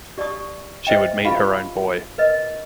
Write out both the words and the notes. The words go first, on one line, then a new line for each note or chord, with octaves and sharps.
She would meet her own boy.
G4 D5 A5 C#6 D#6
B4 C5 D#5 E5 G5
F4 G4 B4 F5 B5
A#4 B4 D#5